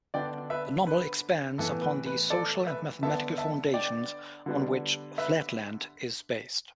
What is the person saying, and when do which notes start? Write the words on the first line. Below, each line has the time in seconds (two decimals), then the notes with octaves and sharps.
The novel expands upon the social and mathematical foundations on which "Flatland" is based.
0.14 D3 B3 D4 D5 G5
0.50 B4 E5
0.87 B4
1.58 A2 E3 B3 A4
1.82 B4
2.06 B4
2.30 A4 D5
2.67 B4 E5
3.03 D3 B3 D4 E5 A5
3.38 E5 A5
3.74 D5 G5
4.46 D3 G3 B3 D4
5.18 B4 E5